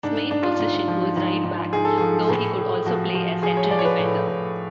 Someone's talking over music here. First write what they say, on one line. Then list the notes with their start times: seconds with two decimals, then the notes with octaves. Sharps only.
His main position was right-back, though he could also play as central defender.
0.03 G#2 D4
0.31 G#2 D4
0.43 F4
0.54 D4
0.60 G#2
0.88 F3
1.16 G#2
1.45 G#2
1.73 G#2 G#4
1.85 A4
1.98 F3 G#4
2.29 A2
2.58 A2
2.86 F3 F#4
3.15 F3
3.43 F3 G#4
3.57 C#5
3.71 F3 D5
3.79 C#5
3.85 B4
3.99 A2
4.28 A2